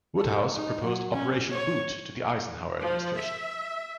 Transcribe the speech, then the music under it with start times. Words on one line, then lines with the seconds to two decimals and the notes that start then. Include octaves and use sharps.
Woodhouse proposed Operation Boot to the Eisenhower administration.
0.17 A4
0.55 D#4
0.83 F#3
1.13 C#4
1.51 C#5
2.80 F3
3.16 E5